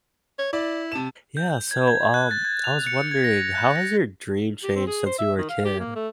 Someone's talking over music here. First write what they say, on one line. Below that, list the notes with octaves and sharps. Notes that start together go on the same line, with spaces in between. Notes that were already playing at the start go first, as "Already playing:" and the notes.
Yeah, so, um, I was wondering, how has your dream changed since you were a kid?
C#5
E4 D5
C3 A5 E7
G6
G#6
G#6
F#6
A6
G#6
F7
C#7
G#6
A#6
F#6
A#6
G4
C4
G#4
C5
E5
D#3
F5
G4
A#3
A3